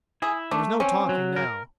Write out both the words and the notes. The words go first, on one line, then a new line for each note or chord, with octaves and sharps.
There was no talking now.
E4 G#4
A3 D4
C4 C#4
F#3
A#4